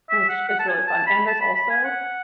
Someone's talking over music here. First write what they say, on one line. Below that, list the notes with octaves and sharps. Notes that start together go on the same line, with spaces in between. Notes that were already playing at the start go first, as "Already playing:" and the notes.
it's it’s really fun, and there's also
E5
F#5
F#5
A5
G#5
A5
B5
A5
B5
B5
G#5
F#5